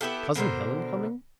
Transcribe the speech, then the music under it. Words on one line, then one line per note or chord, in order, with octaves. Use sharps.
Cousin Helen coming!
B3 E4 G4 A4
B2 D3 A#4 C5